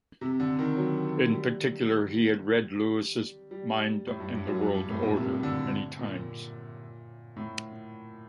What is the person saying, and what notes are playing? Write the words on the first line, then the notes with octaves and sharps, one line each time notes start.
In particular, he had read Lewis' "Mind and the World Order" many times.
C3
D3
D#3
F#3
G3
G3
A2
G2
G2
F#2
G2
G2
A2
A#2
C3
D3
A#2
A2